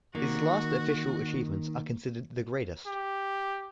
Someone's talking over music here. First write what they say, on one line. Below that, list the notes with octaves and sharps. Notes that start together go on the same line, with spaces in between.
His last official achievements are considered the greatest.
D#3 A#3 F#4
G4